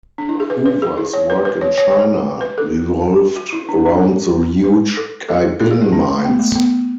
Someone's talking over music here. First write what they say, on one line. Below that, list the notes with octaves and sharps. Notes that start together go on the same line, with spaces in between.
Hoover's work in China revolved around the huge Kaiping Mines.
D4
E4
G#4
B4
B4
G#4
E4
C#5
B4
B4
C#5
C#5
C#5
B4
A4
F#4
E4
D4
D4
A4
B4
A4
A4
A4
G#4
E4
C#4
A3
B3
A3
B3